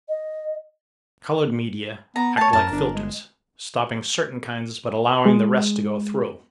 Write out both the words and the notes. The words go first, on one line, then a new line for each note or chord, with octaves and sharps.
Coloured media act like filters, stopping certain kinds but allowing the rest to go through.
D#5
B3 A#5
A3 C#5 A5
F#2 A#4 A5
G1 D4
G#3
G#3